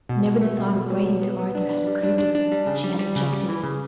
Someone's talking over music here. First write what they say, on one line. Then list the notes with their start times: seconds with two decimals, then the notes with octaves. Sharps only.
Whenever the thought of writing to Arthur had occurred to her, she had rejected it.
0.09 B2
0.25 B2
0.41 A3
0.58 B2
0.74 B2
0.90 F#3
1.05 B2
1.22 B3
1.39 B3
1.55 D4
1.70 D4
1.87 G3
2.03 D4
2.18 D4
2.35 D4
2.52 G3
2.67 C#3
2.84 G3
2.99 G3
3.16 C#3
3.32 G3
3.48 E3
3.63 C#3